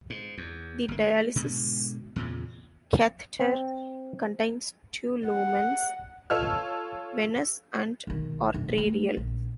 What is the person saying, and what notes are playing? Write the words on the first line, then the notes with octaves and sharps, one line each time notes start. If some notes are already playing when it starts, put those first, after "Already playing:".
The dialysis catheter contains two lumens: venous and arterial.
G#2
E2
G1 A#3
A3
G#2 B2 D3
E2 A#2 C#3
C4
F#5
F4 A4 C#5 A5 E6 F6
B1 D#3
F1 B1
A3
A#1